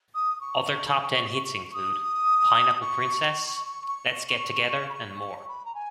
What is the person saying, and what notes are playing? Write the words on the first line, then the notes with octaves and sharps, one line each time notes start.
Other top-ten hits include, "Pineapple Princess", "Let's Get Together" and more.
D#6
C#6
D#6
C#6
C#6
B5
C#6
C#6
B5
A#5
G#5